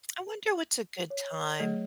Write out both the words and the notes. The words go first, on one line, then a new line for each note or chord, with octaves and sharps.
I wonder what's a good time
C#5
F#3 A3 G#4